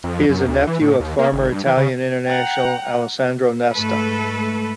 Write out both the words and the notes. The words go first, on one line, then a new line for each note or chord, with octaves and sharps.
He is the nephew of former Italian international Alessandro Nesta.
F2
F#2
D2
E3
A2
D#2
A#3
G#1
G2
E3
C#3
F#5 G5 A#5
G#2 A3 A4 B4